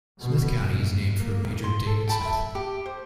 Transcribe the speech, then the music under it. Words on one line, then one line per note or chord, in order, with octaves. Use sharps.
Smith County is named for Major David Smith.
B2
F#1
A#3
C6
A4
G5 A5 B5
E5
G4
C5